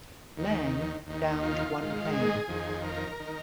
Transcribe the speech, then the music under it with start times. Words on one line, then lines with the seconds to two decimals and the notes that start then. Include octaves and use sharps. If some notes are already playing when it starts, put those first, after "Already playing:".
"Lang" downed one plane.
0.37 D#2 D#3
1.07 D#2 D#3
1.43 F4
1.78 G#2 D#3
2.13 G#4
2.48 F2 D#3
2.84 A#4
3.20 D#3